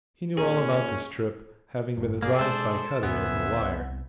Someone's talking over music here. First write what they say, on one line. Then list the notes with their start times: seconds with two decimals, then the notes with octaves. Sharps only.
He knew all about this trip, having been advised by Cutty over the wire.
0.37 A#2 C#4 G#4
1.97 G#1 G2 A3
2.22 A#3 G#4 D5
2.39 B2 G#3 A4 C5
3.03 D2 A#2 D3 B3 C5 E5 G#5
3.61 C2